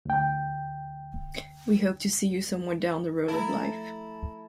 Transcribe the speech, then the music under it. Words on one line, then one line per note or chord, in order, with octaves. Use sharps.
We hope to see you somewhere down the road of life.
D2 G5
F3 A3 E4 A4 A#5